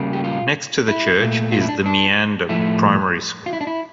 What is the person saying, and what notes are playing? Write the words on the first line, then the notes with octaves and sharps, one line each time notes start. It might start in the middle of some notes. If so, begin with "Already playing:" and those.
Next to the church is the Meander Primary School.
Already playing: C#3 G3 A#3
G4
F4
E4
A#2 A3
F4
E4
D4
D4
A2 F3 A3 E4
F4
E4
D4
E4